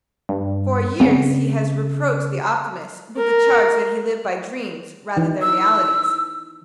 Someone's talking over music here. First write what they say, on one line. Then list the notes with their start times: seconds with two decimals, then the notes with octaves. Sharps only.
For years he has reproached the optimist with the charge that he lived by dreams rather than realities.
0.29 G2
1.00 C#3 B3 C4
3.17 A#4
5.17 E3 D#4
5.42 E6